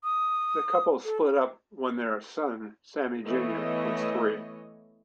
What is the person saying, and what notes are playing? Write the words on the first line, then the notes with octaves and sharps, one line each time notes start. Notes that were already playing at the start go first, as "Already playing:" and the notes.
The couple split up when their son Sammy Junior was three.
D#6
A4
E3 A3 B3 C#5 D#5